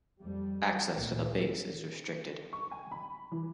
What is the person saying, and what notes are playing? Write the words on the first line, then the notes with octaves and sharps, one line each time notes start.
Access to the base is restricted.
F2 G3
D2 A#2
C#6
G#5
B5
E3